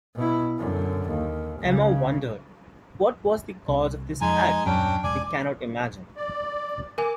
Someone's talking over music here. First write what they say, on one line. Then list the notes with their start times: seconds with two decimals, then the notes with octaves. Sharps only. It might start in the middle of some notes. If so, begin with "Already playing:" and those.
Emma wondered, what was the cause of this act, we cannot imagine.
0.16 B2 E4
0.58 F#2 D3
1.09 D#2
1.60 C#2 C#3
3.68 C2
4.21 F2 G#3 D#4 G#5
4.66 D#1 F#2 C#4 D4 G5
5.04 E1 D5 G#5
6.17 D5
6.98 A#4 G#5 D6